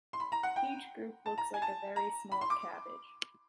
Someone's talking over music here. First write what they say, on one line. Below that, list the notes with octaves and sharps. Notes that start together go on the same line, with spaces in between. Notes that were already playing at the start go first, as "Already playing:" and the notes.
Each group looks like a very small cabbage.
C6
B5
A#5
F#5
G5
A5
A#5
G#5
A5
A#5
B5
C6
D6